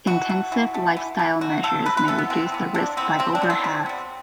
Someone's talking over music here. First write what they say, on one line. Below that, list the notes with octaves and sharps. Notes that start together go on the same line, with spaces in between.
Intensive lifestyle measures may reduce the risk by over half.
E3 F#4
A3
E3
A3
E3
A3
E3 F#4
A3 A4
C3 B4
B4
E3 B3 A4
B3
C3 C4
E3 B3
C3 D4
E3 B3 C4
C3 C4
D4
E3 B3
C4
C3
G3 B3